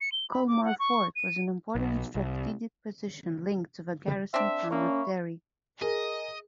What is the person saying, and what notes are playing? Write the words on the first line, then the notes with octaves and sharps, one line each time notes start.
Culmore Fort was an important strategic position linked to the garrison town of Derry.
C#7
G7
B5
D6
F#5
C#6
D#7
B1
C2
C4 D4 E5
A#3 C#4 C#5 E5 B5
G#4 A#4 D#5